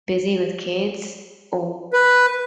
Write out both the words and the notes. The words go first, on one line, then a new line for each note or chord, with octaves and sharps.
busy with kids or
B4